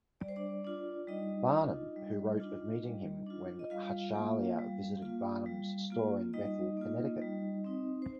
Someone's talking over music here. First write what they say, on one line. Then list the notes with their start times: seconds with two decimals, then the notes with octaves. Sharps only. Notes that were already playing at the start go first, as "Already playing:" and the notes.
Barnum, who wrote of meeting him when Hachaliah visited Barnum's store in Bethel, Connecticut.
0.21 G3 D5
0.28 C5
0.36 D4 D5
0.64 D4 F4
1.08 G3 D#4 D#5
1.51 D4 F4
1.96 G3
2.40 D4 F4
2.83 G3
3.26 D4 F4
3.59 D#5
3.70 G3 F4 F5
4.14 A#3 F4
4.58 G3
5.02 A#3 F4
5.46 G3
5.90 A#3 F4
6.33 G3 D#4 D#5
6.77 A#3 F4
7.21 G3
7.64 C4 D#4
8.02 C5